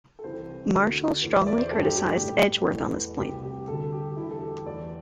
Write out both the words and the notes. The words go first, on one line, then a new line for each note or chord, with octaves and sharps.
Marshall strongly criticised Edgeworth on this point.
A4
C2 C3 E3 C5
D2 D3 A3
E2 E3 A3
E5
D5
C5
G2 G3 A4
G4
G4
G4
A2 G3
E2 E3 A3
C2 C3 G3 G4
G4
D2 D3 G3 A4
G4
G4
E2 D3 G3 E4
A4
G4
E2 E3 A3 D5